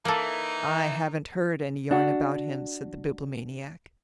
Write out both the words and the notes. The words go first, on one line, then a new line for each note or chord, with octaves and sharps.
"I haven't heard any yarn about him," said the Bibliomaniac.
E3 A#3 D#4 A4
D4 F#4